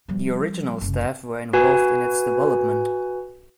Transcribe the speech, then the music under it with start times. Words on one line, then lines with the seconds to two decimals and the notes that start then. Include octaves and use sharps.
The original staff were involved in its development.
0.08 F3 G3
0.81 F#1 C2
1.53 F#4 B4 G#5